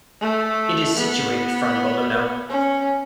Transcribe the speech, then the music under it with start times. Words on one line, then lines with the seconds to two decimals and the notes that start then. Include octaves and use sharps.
It is situated from Belluno.
0.21 A3
0.97 B3
2.49 C#4